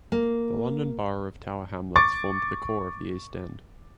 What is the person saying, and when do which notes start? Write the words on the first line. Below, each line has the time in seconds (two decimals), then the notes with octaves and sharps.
The London Borough of Tower Hamlets forms the core of the East End.
0.12 A#3
1.96 C#6 D6 A6